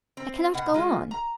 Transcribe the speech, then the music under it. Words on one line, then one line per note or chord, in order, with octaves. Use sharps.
I cannot go on.
C4
B2 F#5
G#3 F4
A#5